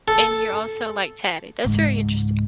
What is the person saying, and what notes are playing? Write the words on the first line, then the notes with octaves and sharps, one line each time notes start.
and you're also, like, tatted, that's very interesting.
A4
C#2 G#2